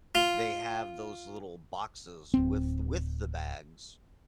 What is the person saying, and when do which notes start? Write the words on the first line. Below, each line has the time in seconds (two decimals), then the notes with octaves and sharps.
they have those little boxes with with the bags
0.15 F4
2.34 D1 C4